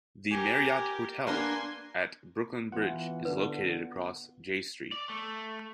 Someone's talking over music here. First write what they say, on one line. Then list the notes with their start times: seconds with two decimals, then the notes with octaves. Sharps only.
The Marriott Hotel at Brooklyn Bridge is located across Jay Street.
0.31 G4 A#4 G#5
1.27 A#3 B3 D4 G#5 A#5 C6
2.72 E3 B3 F4 F#5
3.25 D3 B4
4.92 D5
5.09 A3